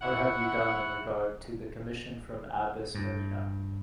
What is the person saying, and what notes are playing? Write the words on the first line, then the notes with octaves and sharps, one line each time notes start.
What have you done in regard to the commission from Abbess Marina?
E4 C#5 E5 F#5
G2